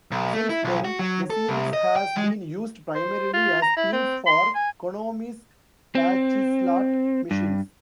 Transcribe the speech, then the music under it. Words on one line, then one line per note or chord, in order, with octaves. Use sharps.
Since then, the series has been used primarily as themes for Konami's pachislot machines.
B1
A3
E4
B1
F#4
F#3
A4
C2
D#5
G5
G#3
C5
F4
A#5
E4
C4
C6
G#5
C4
G2